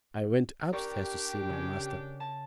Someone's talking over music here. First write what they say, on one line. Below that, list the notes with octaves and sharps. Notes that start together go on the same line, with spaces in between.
I went upstairs to see my master.
D4 G4 A#4 D5 C#6
C#3 C#4
A5